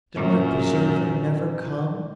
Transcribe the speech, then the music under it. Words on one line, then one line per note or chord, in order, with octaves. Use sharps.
Did my preserver never come?'
F#2 A#2